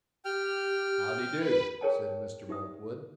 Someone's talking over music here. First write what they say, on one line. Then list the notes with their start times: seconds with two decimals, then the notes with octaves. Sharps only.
"How dee do," said Mr. Boltwood.
0.25 G4 G5 F6
1.39 A#4 B4
1.81 G#4 A#4 C#5 D#5 G5 A5
2.49 D#4 G4 E5 D#6